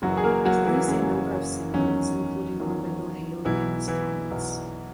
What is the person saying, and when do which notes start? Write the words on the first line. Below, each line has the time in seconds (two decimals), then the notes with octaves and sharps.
It released a number of singles, including one by Bill Haley and His Comets.
0.02 F#1 F#2 E3 F#3 F#4
0.17 G#4
0.24 A#3 A#4
0.45 F#3 F#4
0.66 E3 E4
0.88 F#1 F#2 E3 C#4
1.74 E2 D#3 F#3 C#4
2.60 E2 D#3 F#3
3.45 B1 B2 E3 F#3 E4
3.88 E3 E4
4.31 B1 B2 F#3